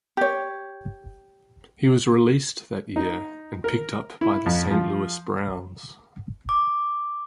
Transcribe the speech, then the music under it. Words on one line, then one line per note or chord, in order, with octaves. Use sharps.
He was released that year and picked up by the Saint Louis Browns.
G4 C#5
D#4
A#4
E4
F2
F3
D6